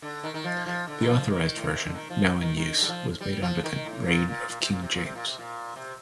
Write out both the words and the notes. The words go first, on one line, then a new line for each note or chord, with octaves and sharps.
The authorized version, now in use, was made under the reign of King James.
D3
D#3
D#3
F3
F3
D3
D#3
F3
D#3
A2
A#2
C3
D3
D#3
F3
D#3
D#3
D#3
D3
G3
F3
G3
F3
D#3
A2
A#2
A#2
A#2
C3
A#2
C3
A#2
C3
A#2
C3
A#2
C3